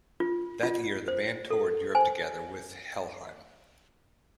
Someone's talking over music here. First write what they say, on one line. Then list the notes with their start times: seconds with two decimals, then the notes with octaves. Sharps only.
That year the band toured Europe together with Helheim.
0.20 F4
0.63 F4
1.08 C5
1.50 A4
1.95 C5 G#5